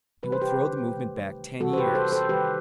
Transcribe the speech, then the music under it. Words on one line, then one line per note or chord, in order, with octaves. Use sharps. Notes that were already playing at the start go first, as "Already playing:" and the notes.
It will throw the movement back ten years....
C3 E3 G3 B4
C5
G4 B4
C3 D#3 A3
C3 E3 G3 F#4 A4
C5
G4 B4
A4 C5
A4 C5
D#3 G3 G4 B4